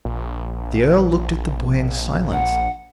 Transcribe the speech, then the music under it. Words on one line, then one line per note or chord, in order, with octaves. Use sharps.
The Earl looked at the boy in silence.
A#1
F#5